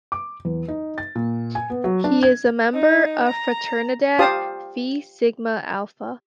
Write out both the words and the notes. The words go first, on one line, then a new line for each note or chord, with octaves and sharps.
He is a member of Fraternidad Fi Sigma Alfa.
D6
E2
D#4
A6
A#2
G#5
B3
F#3
D4
G#6
D#4
A#5
F4 G4 C5 F5 A5 D#6